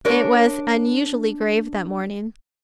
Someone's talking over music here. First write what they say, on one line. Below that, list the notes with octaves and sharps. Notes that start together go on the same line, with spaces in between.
It was unusually grave that morning.
D4 A#4 C#5